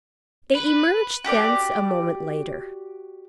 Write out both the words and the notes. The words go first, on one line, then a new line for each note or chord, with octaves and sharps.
They emerged thence a moment later.
B4
F#4 G4 A4 D5